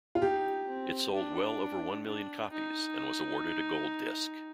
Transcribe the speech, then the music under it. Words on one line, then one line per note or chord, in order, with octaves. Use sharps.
It sold well over one million copies, and was awarded a gold disc.
F4
D#4 G4
C4
D4
D4
D#4